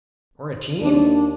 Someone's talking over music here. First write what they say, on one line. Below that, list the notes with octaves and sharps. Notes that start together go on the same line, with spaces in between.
'Or a team?'
D#2 D4